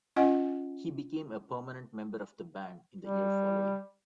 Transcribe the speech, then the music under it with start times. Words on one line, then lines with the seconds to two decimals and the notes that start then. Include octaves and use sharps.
He became a permanent member of the band in the year following.
0.16 C#4 F4 D#5 F#5 G#5
3.01 G3